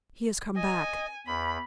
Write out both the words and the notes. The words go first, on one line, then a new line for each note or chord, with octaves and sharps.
"He has come back."
D#5 G#5
E2 B5